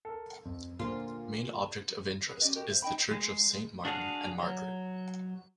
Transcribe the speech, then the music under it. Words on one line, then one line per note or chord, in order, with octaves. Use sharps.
Main object of interest is the Church of Saint Martin and Margaret.
A4 A#4
F2
A#2 D3 F4 F5
G#4 B4
C#4 G4 D5 D#5
F#4 G4 A#4
C5 E5
D#4 D#5 G5 B5
G#3
D4 F#4 G#4 F5 F#5
F#3